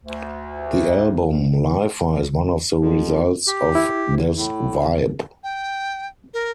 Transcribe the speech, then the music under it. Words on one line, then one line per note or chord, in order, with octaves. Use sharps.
The album 'Lifer' is one of the results of this vibe.
D2
F2
G4
E4
A2
G5
A#4